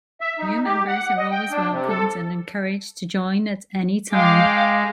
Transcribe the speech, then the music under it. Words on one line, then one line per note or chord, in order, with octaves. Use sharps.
New members are always welcomed and encouraged to join at any time.
E5
D#4
G4
F#5
D#5
G5
D4
C3
A4
G#3 F5 G5 D6